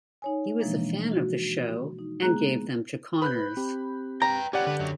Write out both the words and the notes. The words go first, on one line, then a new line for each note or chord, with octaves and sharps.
He was a fan of the show and gave them to Connors.
D#4 C#5 G#5
B2 E3 F3 G#3 A#3 D4
F#4
D#4
G#3 A#3 B3 G#4 A#5 F#6
B4 B5 F#6 G6
C4 G4
B4 G5 A#5
C#4 G4 B4 D5 F#5
D3 D4 B4
F#2 F#3